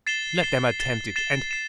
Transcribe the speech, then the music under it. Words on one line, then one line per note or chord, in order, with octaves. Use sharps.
"Let them attempt it, and...."
A6 C7 E7 G7
A6 C7 E7 G7
A6 C7 E7 G7
A6 C7 E7 G7
C7 E7